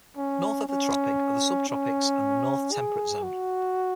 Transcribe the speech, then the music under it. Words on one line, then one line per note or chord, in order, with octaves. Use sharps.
North of the tropic are the subtropics and the North Temperate Zone.
C#4
C#4
C#4
G#4
F#4